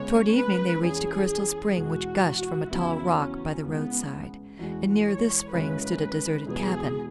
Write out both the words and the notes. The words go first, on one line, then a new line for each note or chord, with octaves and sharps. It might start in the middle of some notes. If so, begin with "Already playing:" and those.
Toward evening they reached a crystal spring which gushed from a tall rock by the roadside and near this spring stood a deserted cabin.
Already playing: C#3 G#3 B3 C#5
B4
E2 E3 C#4 E4 G#4
E2 B2 G#3 F#4
E2 C#3 F#3 B3 E4
C#4
C#3 E3 G#3 B3
E2 E3 G#3 F#4
C#5
F#2 C#3 E3 G#3 C#4 B4
E2 B2 G#3 B3 G#4